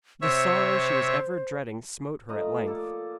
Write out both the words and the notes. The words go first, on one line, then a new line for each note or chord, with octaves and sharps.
The sorrow she was ever dreading smote her at length.
C3 C5 C#5 E5
F3 A3 D#5 A#5
A#3 A4 D5